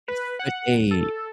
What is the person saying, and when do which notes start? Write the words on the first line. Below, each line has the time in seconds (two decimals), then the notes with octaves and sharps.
it's such a
0.08 B4
0.39 F#5
0.91 A4